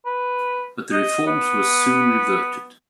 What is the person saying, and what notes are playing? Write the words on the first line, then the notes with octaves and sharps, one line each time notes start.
But the reforms were soon reverted.
B4
D#5
B3